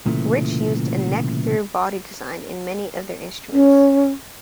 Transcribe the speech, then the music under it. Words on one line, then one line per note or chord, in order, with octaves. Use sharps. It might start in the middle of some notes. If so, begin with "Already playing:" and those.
Rich used a neck-through body design in many of their instruments.
C2 A#2 C#3 E3 A3
C#4